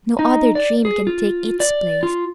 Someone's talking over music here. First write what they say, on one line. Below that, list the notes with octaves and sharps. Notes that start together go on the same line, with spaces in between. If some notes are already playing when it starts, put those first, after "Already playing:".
No other dream can take its place.
D#4
D5
G#4
F4
D5
F4